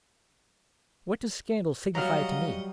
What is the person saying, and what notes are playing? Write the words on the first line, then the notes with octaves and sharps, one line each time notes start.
What does scandal signify to me?
F#3 G3 F#4 D#5 F5 F#5 A#5 F6